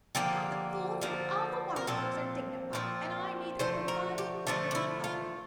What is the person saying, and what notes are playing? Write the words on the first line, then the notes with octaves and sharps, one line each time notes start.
"Half the fools and all the wise folks are dignified, and I'm neither the one nor the other."
D3 F3 A#3 G4
D3 F3 A#3
A#4
A#2 F3 C4 A4
A#2 F3 C4
D3 F3 A3 C5
A#4
G4
D3 F3 A3 D4
D4
E4
F4